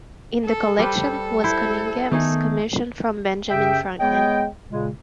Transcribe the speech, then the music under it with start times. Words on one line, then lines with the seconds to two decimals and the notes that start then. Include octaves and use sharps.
In the collection was Conyngham's commission from Benjamin Franklin.
0.44 A4
0.79 G3 A4 B4 C5
1.44 E4 C5
2.11 D#3 A3 B3 D#4 G#4
3.50 F#2 C#3 G4 G#4 E5 G5
4.00 G#3 B3 G#4 C#5 D#5 G5
4.69 A#2 C#3 G#3